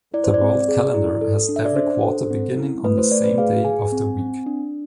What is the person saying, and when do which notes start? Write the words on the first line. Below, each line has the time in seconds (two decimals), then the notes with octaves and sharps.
The World Calendar has every quarter beginning on the same day of the week.
0.14 E4 D5
0.24 C5
0.34 D5
0.42 C4
0.69 G#4
0.94 E4
1.21 A4
1.49 D4
1.56 E5
1.65 D5
1.76 D4 C5
2.02 A4
2.31 C4
2.57 E4
2.84 A3 B4
2.98 C5
3.11 A3 D5
3.24 B4
3.38 G#4 F5
3.65 G#4 G#5
3.92 C4
4.19 C4
4.46 D4